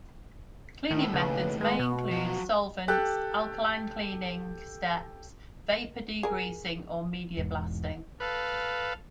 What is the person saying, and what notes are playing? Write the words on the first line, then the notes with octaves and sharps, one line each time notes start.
Cleaning methods may include solvents, alkaline cleaning steps, vapor degreasing, or media blasting.
D#2 A2 D#3 E4
C#3 B4
G#3 B4
B2 F#4
F3 F#3
G4 A4 F#6
G#4 A#4
E1 E2 G#2
A4 B4 F5